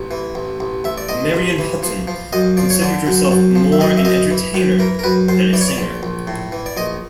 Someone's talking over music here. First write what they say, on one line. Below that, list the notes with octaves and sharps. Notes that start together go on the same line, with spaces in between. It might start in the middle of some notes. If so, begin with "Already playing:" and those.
Marion Hutton considered herself more an entertainer than a singer.
Already playing: A1
E3
A1
A1
A1 E5
D5
A1 D#5
A1
E3
F3
F3
F#2 D#5
F3 D5
C#5
D3 D5
F#2
F#2
F3
E5
F#2 D#5
E5
F#2 D#5
E3
F#2
E3 A#4
A#4
F#2 B4
F#2 C5
E3 D5
C#5
D5
A#1
A#1
A2
E3
D5
A#1 D#5